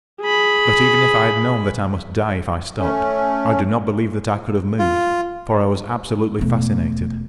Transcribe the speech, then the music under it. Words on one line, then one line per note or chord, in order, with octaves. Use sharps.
But, even if I had known that I must die if I stopped, I do not believe that I could have moved, for I was absolutely fascinated.
G#4 B5
A3 C#4
F4
E1 A3